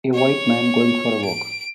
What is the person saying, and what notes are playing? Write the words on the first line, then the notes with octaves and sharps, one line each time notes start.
A white man going for a walk.
C#5
D7